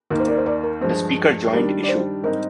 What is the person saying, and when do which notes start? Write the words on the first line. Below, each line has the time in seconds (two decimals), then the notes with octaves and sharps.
The Speaker joined issue.
0.10 D#2 D#3 A#3 A#4
0.19 C5
0.28 A#4 D5
0.37 C5
0.46 A#4 D5
0.63 A#4
0.81 G2 F3 G#3 C5
1.52 D#3 G3 D4 A#4
1.83 D5
1.88 C5
2.23 G#2 G3 C4 D#4 A#4